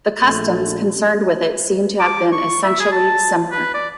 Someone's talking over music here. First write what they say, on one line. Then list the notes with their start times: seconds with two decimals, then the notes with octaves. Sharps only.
The customs concerned with it seem to have been essentially similar.
0.22 A#1 A3
2.00 D6
2.33 C#6
2.63 E5
2.80 G#4
2.92 A5
3.51 B4
3.74 D5